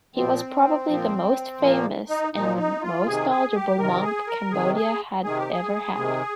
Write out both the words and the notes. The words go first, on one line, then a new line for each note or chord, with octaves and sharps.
He was probably the most famous and most knowledgeable monk Cambodia had ever had.
A#2 F3 C4
A#2 F3
A#2 F3 A#3
D#4
A#2 F3 D#4
D#4
F4
C3 D#3 G#4
G#4
G4
C3 D#3 A#4
G#4
A#4
C3 D#3 G#4
G#4
C3 D#3 G#4
G4
G#4
C3 D#3